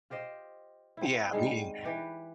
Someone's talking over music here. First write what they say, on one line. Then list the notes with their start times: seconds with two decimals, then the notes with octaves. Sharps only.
Yeah, me.
0.10 F4 G4 C5 D#5
0.97 C4 E4
1.32 D#3 G3 G#3 G#4
1.85 E3 G4 B4